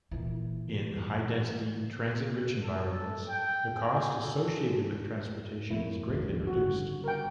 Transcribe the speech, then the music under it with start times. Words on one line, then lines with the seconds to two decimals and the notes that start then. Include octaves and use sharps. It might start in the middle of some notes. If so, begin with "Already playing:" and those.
In high density, transit-rich environments, the cost associated with transportation is greatly reduced.
0.11 A#2 E3
2.63 A4
3.29 G5
3.76 G#4
4.19 A4
5.70 F2 A2 A#3 E4
6.09 G#1 F#2 B2
6.29 D#2 F3 G3
6.47 G1 C#3 F#4
7.04 A#4 G5